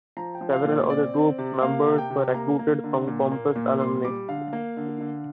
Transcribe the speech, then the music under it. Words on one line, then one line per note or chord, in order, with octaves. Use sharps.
Several of that troupe's members were recruited from Compass alumni.
F3 A#5
G5
F3
F5
A#2
D5
C4 D5
C4
C3
A#3 F5
C3
G5
C3
A#3 A#5
A#3
D3
A#2
A#3
A#2
G3 C6
G3 D6
D3 F5
A#3
D3
D3